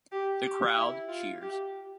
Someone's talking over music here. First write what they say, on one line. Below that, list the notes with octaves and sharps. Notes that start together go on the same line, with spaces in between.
The crowd cheers.
G4
G4
E4
F4
G4